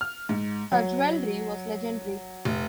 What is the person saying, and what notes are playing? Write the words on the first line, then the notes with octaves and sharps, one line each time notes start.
Her jewelry was legendary.
F6
G#2
F#3
F1